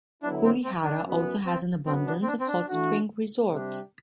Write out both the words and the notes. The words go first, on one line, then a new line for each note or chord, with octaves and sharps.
Kurihara also has an abundance of hot spring resorts.
D3 F#3 B3 D4 E4
C4
C4
D4
F#2 F#3 B3 F#4
C4
F#2 F#3 B3 C4
D4
C4
D4
C4
D4
E3 A3 D4 F#4
C3 G3 D4 G4